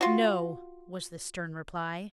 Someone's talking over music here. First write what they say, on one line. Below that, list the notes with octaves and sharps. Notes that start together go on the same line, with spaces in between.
"No," was the stern reply.
F4 F#4